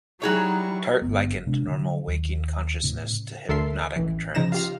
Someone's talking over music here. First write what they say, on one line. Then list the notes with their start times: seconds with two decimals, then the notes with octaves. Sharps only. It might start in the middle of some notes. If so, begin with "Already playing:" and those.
Tart likened normal waking consciousness to hypnotic trance.
0.22 F#3 G3 D#4 E4 F#4 G#4 C#5 C#6
1.02 G1 D#2 B3
1.47 C3 G#3 D4
1.68 D3 F#3
2.07 D#2
2.83 A2 C#3
3.49 D2 A4 A#4 E5 C6 C7
3.96 A1 E3
4.35 C#3 F3 D#4 A#6 E7
4.52 F4 G4 F5